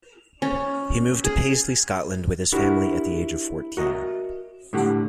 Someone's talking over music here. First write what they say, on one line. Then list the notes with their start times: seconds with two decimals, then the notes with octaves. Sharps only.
He moved to Paisley, Scotland, with his family at the age of fourteen.
0.42 C#4
1.24 G#4
2.52 D4 E4 F#4 G4 A#4
3.77 F#4 A#4 D#5 E5
4.73 A2 D3 A3 G4 F#5